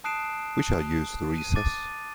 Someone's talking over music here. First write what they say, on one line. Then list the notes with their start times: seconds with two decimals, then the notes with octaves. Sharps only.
We shall use the recess.
0.04 A5 D#6 F#6 C7 D7 E7
1.38 D#7
1.55 D6 A6 D#7